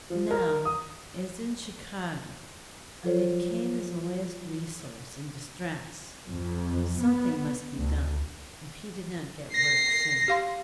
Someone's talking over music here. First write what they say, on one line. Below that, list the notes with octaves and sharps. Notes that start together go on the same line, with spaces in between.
Now, as in Chicago, it came as a last resource in distress. Something must be done if he did not get work soon.
F3
A#4
D#6
F3 F#3 F4 A4 C5 C#5
F2
B3
D2
A#6 C7
G4 F5 C6